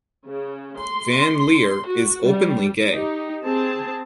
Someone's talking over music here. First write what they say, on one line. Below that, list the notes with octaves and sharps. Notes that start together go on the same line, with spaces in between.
Van Leer is openly gay.
C#3
C6
F#4
G3
D#4 G4
C4 G#4 A5